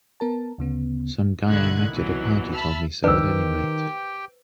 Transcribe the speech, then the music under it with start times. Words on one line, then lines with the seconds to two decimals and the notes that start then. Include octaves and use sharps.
Some guy I met at a party told me so at any rate.
0.20 B3 A#4 A5
0.58 D2 C#3 B3
1.46 B1 D3 D#3 E4 F#6 G#6
1.93 C2 B2 E3 F#3
2.52 E5 A5 B5 E6 F6
3.04 C#2 D#3 D4 G4 B4 C5 G5 E6